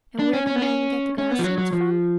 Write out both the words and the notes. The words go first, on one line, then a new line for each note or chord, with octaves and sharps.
And where did men get the grass seeds from?
D4
C#4
C#4
B3
C#4
C#4
B3
F3
F#3
F#3
F3